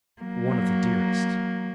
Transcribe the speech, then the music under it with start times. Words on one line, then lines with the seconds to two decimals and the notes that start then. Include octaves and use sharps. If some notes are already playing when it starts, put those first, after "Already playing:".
One of the dearest.
0.22 F#3 A#3